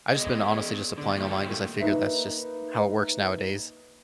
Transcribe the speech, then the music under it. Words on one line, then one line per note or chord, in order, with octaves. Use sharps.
I've just been, honestly, just applying online 'cause I figured that's just how it works nowadays,
B3 G#4 D#5
D3
G2 A#2 A3 A#3 G4
A#3 D#4 B4 E5